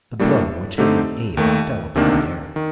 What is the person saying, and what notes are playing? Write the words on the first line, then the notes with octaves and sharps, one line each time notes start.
The blow, which had no aim, fell upon the air.
A2 G3 A#3 D4 A4
D3 A3 C4 D#4 G4
D#2 D#3 A3
D2 C3 D#3 A#3 D4
D#3